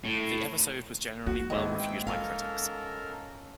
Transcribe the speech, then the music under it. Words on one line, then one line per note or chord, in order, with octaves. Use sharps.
The episode was generally well reviewed by critics.
A2
A#3 F#4
G#2 D#3 B3 C4 D#4 E4
G5
C#4 F4 A4 A#4 F5